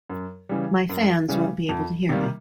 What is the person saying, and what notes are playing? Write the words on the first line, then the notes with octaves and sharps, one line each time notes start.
My fans won't be able to hear me.
F#2
C#3 E3 G3
F#2
C#3 E3 G3
F2
C3 D#3 G3 A#3